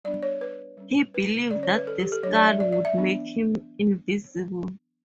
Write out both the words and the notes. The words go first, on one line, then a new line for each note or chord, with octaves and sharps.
He believed that the skull would make him invisible.
G3 B3 D4 D5
C#5
B4
G3 C#4
B4
D3 G3 C#4 D5
C#5
B4
A4
G4
A4
F#3 A3 D4 C#5
D5
E5
D5
D5
E5
E3 B3 D4